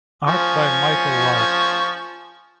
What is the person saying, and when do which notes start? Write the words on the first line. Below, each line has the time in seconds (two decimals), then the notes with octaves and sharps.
Art by Michael Lark.
0.28 F3 G#5 C#6